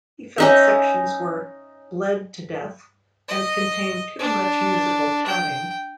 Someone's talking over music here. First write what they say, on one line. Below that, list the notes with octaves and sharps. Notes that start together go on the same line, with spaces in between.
He felt sections were "bled to death" and contained too much musical padding.
C#4 D#4 E5
D#5
D4
G5